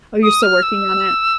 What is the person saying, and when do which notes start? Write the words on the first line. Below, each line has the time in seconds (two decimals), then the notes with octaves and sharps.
Oh, you're still working on it?
0.23 D#6
0.43 F6
0.63 E6